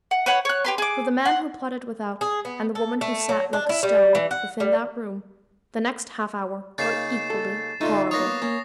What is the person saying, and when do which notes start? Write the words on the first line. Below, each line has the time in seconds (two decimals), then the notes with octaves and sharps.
For the man who plotted without, and the woman who sat like a stone within that room, the next half hour were equally horrible.
0.11 F#5
0.26 B4 C#5 F#5
0.45 C#5 F#6
0.65 G4 B4 C6
0.78 G#4 D6
1.25 F#5 C6
2.21 G#4
2.45 B3
2.75 A4
3.01 A3
3.29 F#3
3.53 D4
3.69 E4
3.83 G3
4.15 E3
4.31 F#5
4.60 G3
6.78 C#3 A#3 D#4 A6 C7 E7
7.30 A4
7.81 D3 A3 D#4 F4
8.11 A#3 B3 C#5 D#6 A#6
8.42 A#3 C#4